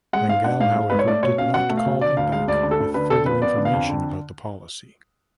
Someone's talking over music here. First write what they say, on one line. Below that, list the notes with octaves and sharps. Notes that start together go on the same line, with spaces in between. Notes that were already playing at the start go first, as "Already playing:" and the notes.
Lengel, however, did not call them back with further information about the policy.
G#3 F#5
G#2 F5
D4 F#5
G#2 F5
G#3
G#2 B4
C#5
A3 D5
B2 C#5
C#4 F5
B2 F#5
A3
F5
B2
D3 D5
D2 F5
G#3 F5
D2 D5
D3
A4
D2
D3 B4
F2 A4
F3 B4
B3 D5
D3
F5
F2
D3